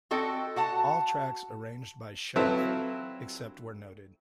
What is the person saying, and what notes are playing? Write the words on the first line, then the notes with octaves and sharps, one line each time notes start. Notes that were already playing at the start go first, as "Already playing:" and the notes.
All tracks arranged by Schaft, except where noted.
C4 F#4 A4 D#5 G5
F#4 F#5 A5
F#3 C4 E4 F4 A4 B4